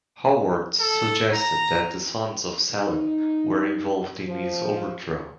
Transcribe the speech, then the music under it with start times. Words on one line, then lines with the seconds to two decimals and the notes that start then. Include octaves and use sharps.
Howorth suggested that the sons of Selim were involved in his overthrow.
0.80 A4
1.33 A#5
2.73 D#4
4.27 F3